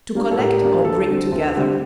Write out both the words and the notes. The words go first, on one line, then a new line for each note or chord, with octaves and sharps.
To collect or bring together.
G3 A#3 D4
A4
A2 G4 A#4
G3 A#3 D4
D2 A4
D3 G3 C4
D2
D3 G3 C4